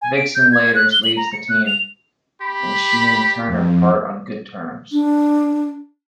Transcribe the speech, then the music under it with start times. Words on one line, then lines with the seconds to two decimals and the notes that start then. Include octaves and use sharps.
Vixen laters leaves the team, and she and Turner part on good terms.
0.02 G#5
0.15 D7
0.35 G6
0.52 G#6
0.75 F#6
0.92 G7
1.04 F#7
1.17 A#5
1.33 C#7
1.49 F#6
1.66 F7
2.42 G4 B5
3.47 F2
4.92 D4